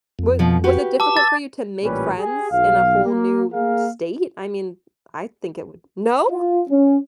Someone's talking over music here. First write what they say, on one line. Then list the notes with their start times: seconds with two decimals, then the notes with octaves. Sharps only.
Wa was it difficult for you to make friends in a whole new state? I mean, I think it would no?!
0.19 F2
0.39 B2 F3
0.64 F#4 G4 B4
1.00 A5 D6 E6
1.17 A6
1.83 A1 A#2 G3 C#4 B4
2.19 G4 G#4
2.51 B1 F5
3.05 A#3
3.53 A#3 G#4 A#4 F5
6.29 F4
6.69 C#4